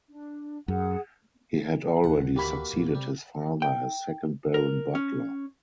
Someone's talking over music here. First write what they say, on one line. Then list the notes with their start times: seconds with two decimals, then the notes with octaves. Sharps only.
He had already succeeded his father as second Baron Butler.
0.10 D4
0.68 F#2 G#4 F#5
2.04 D1 D2 D#3 F#5
2.36 E3 A#3 F#4 G4 B5
2.73 D#1 A2
2.95 C3 G3
3.62 G5
4.54 A#4
4.95 C#4